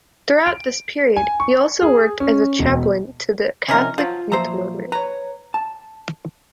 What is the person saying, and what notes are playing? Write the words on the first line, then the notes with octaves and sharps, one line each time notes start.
Throughout this period he also worked as a chaplain to the Catholic youth movement.
D7
G#5
C#6
G#4
C#4
E1
C3 F3 C#4 D#4 A#4
F3 F#3 F4
A#2 F3 F#3 C5 E5 A#5
B4 C#5 A#5
A5